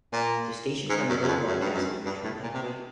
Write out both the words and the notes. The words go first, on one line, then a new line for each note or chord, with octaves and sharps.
The station primarily broadcasts in the Mam language.
A#2
G#2
F#2
F#2
F2
F#2
G2
F#2
G2
A2
A#2
C3
B2